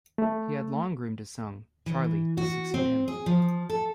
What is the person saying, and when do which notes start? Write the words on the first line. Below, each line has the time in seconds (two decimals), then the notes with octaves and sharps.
He had long groomed his son, Charlie, to succeed him.
0.18 A3
1.86 E3
2.37 F#4
2.74 C4
3.08 G#4
3.26 F3
3.70 A4